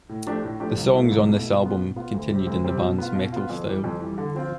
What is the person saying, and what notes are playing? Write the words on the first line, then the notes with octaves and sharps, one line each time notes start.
The songs on this album continued in the band's metal style.
A2
F3 A3 D4 G4
A2
F3 A3 D4 G4
C2
B2 A3 E4
C2
B2 A3 E4
B2
B3 F4
B2
B3 F4
D2
C3 G3 C4
D2
C3 G3 C4
B2
B3 F4
B2
B3 F4
F2
E3 G3
F2
E3 G3
D3
F3 C4 F4